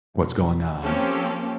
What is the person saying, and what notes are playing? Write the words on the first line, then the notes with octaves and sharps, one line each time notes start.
what's going on
B2
F3 A#3 C4 C#4 G4 A4